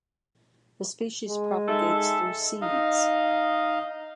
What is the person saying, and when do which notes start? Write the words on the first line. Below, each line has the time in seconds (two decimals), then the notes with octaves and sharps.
The species propagates through seeds.
1.29 G#3
1.68 D#4 A4 E5
2.61 D#4 D#5 F5